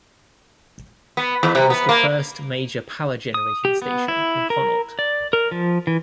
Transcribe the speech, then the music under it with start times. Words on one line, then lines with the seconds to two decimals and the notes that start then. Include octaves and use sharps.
It was the first major power generating station in Connaught.
1.17 B3
1.43 E2
1.55 C3
1.70 B3
1.89 A#3
3.34 D#6
3.65 G4
3.82 B3
4.08 E4
4.50 A#4
4.99 D5
5.33 A#4
5.51 F3
5.87 E3